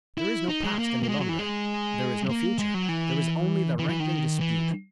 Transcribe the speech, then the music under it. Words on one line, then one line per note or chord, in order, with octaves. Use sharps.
There is no past any longer, there is no future, there is only the rankling dispute.
E4
D#4
G#3
A#3
A#3
G#3
F#3
E3
G#3
A#3
G#3
F#3
E3
E3
E3
D#3
E3